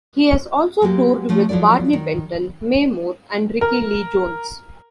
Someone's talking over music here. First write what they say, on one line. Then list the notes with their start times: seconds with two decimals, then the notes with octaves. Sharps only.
He has also toured with Barney Bentall, Mae Moore and Rickie Lee Jones.
0.82 F#3 G#3 A#3 G4
1.29 F3 A3 C#4
1.49 F3 F#3 E4 A4 D5
1.93 D#3
3.61 A#4